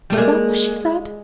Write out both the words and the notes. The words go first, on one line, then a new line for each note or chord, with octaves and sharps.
Was that what she said?
G3 A3
G#3 A#3